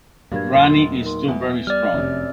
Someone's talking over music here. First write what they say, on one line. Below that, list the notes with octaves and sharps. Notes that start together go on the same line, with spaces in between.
Granny is still very strong.
G2 A#2 F#3 A#3 F5 G#6
E1 C6 A6 G7
D#4 A#4 C6
E2 E5
G3 D5 F6
F1 F#2 C3 C#5